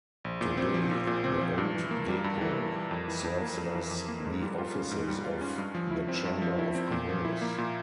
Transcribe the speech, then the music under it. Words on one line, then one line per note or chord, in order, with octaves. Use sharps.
Today, the old depot serves as the offices of the Chamber of Commerce.
A#1
A#2
C4
F3
A#1
A#2
C4
F3
G2
E3
A#3
G3
G2
E3
A#3
G3
F2
E3
F2
A#3
F2
E3
F2
A#3
G#2
G3
F4
C#4
G#2
G3
F4
C#4
G2
F3
E4
C4
G2
F3
E4
C4
A#2
F3
E4
A#3
A#2